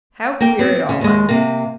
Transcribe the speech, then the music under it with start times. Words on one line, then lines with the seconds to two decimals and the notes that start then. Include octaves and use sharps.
How queer it all was!
0.40 A#3 G5
0.59 B3 C4
0.89 C#3
1.01 D#2 G#3
1.29 C3 A#3